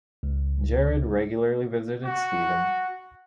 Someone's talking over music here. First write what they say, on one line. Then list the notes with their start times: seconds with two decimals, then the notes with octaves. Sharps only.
Gerard regularly visited Stephen.
0.23 C#2
2.04 F#4